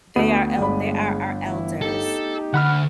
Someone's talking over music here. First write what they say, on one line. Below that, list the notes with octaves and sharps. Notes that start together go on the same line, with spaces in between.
they are el they are our elders,
D2 A3 B3 D#7
G1 G#3 D5 B5
E3 E4
D#4 G4 A4
D2 F#5 B5 F6